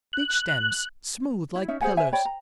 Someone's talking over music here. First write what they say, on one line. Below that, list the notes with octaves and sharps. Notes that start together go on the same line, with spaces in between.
Beech stems, smooth, like pillars.
F#6
E4
C#4 D#4 E5
G#4 C5 F#5 G#5
C5 E5 G#5
C#5 D5 G5 B5
A#5